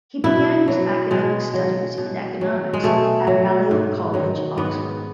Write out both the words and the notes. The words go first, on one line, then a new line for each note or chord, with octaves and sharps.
He began his academic studies in economics at Balliol College, Oxford.
B2 E4
F#3
B2 G#3
F#3
B2
F#3
G#3
B2 A3
F#3
G#2
D#3 F#3
G#2 B3